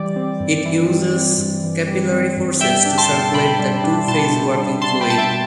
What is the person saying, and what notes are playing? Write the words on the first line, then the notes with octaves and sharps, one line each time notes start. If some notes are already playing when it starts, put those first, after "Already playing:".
It uses capillary forces to circulate the two-phase working fluid.
Already playing: E3 G3 D5
C4
G2
E3
G3
C4
G2
E3
G3
C4
G2
G3 E5 G5
D4
A5 C6
B2
B2 G5 B5
G3
D4
B2 A5 C6
B2
G3
D4 A5 C6
G5 B5
B2 A5
E5 G5
B2